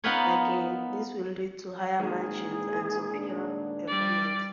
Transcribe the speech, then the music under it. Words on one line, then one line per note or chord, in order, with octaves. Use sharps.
Again, this will lead to higher margins and superior performance.
B3 D#4 F4 A#4 B4 C#5
A#2 D#3 G#3 G#4
D4
G3 D5